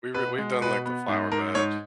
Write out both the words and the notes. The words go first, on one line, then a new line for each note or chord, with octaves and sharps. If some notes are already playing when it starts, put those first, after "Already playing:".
we were we've done, like, the flower bed
B2 B4
G#3
B2 B4
B3
G#2
G#2 A#4
G#2 C#5